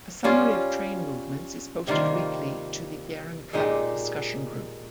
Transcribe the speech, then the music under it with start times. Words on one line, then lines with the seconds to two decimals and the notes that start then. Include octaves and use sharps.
A summary of train movements is posted weekly to the Gheringhap Discussion Group.
0.24 G3 C#4 F4
1.87 C3 D#3 G3 A#3 F4
3.53 A#2 G#3 D#4 G4